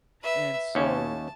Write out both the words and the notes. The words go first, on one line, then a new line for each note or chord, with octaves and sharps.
and so
B4 E5
D#2 C#4 A5